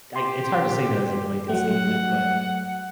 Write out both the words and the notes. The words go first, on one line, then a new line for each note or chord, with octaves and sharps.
I, it's hard to say that as a blanket statement, but
G4 C6
F#3 A3 F#5